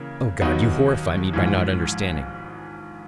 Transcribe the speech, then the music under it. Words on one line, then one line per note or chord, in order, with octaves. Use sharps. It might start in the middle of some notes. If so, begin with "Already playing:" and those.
Oh, God, you horrify me by not understanding!
Already playing: C#3 E3 A#3
D#2 D#3 F#3 B3 D#4
A#1 G#2 E3